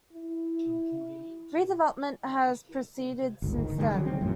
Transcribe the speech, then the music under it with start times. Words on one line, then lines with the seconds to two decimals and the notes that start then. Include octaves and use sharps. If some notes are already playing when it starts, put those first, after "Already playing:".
Redevelopment has proceeded since then.
0.13 E4
3.42 G1 C#2 G#2
3.59 D#3
3.78 D3 D#3 G3 G#3
3.91 C#3 F#3
4.06 C4
4.21 A#1 F#2 A2